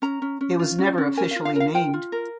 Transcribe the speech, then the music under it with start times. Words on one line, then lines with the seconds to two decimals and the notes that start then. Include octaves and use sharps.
It was never officially named.
0.02 C#4 A#5
0.22 C#4
0.41 C#4
0.59 F4
0.78 C#4
0.98 C#4
1.17 A#4 G#5
1.31 F5
1.36 F4
1.45 F5
1.56 A#4 F5
1.74 F4 G5
1.94 F4
2.12 A#4